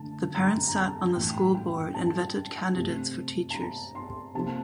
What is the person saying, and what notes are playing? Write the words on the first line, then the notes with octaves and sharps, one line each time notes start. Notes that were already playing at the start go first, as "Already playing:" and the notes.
The parents sat on the school board and vetted candidates for teachers.
Already playing: D3 A3 A5
A#5
A#5
A5
A2 E3 A3 G5
G5
A5
C3 F3 A3
A5
A#5
C6
C3 F3 A#3 A5